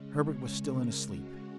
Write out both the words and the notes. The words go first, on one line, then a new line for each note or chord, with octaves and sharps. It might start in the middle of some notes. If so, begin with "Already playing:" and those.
Herbert was still in a sleep.
Already playing: C#3 G#3 C#4
C#5
A#4
F#4